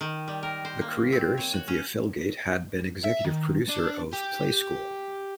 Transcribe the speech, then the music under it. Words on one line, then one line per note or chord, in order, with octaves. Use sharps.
The creator Cynthia Felgate had been executive producer of "Play School".
D#3
G3
A#4
C5
A#3
C4
C#5
F#4
C#4
E5
D#3
D4
G4